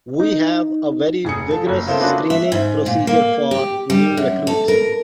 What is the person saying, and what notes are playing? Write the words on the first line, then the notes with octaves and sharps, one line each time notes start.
We have a very vigorous screening procedure for new recruits.
D#4
F1 G#4 D#6 C#7
F3 A4
F#1
C#3 A#3 C4 E4 A4 C5
D4 F4 F#4 G#4 B4 C6
E5
G#2
A#2
A#3
G4
G3
F#2
A4
A#4